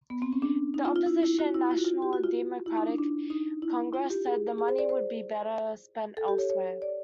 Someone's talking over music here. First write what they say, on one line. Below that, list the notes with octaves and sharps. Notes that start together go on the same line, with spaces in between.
The opposition National Democratic Congress said the money would be better spent elsewhere.
B3
C4
C#4
D4
D#4
F4
F4
E4
E4
F#4
E4
F4
F#4
F4
G4
F#4
F4
E4
D#4
D4
D4
D#4
E4
F4
G4
G#4
G#4
C5
D5
C5
A4
G4
C#5
C#5
D5